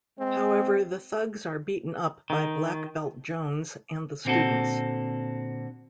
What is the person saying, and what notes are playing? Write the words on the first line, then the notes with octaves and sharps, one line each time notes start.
However, the thugs are beaten up by Black Belt Jones and the students.
G#3 C4
D#3
A#2 D3 C4 E4 F#4 A4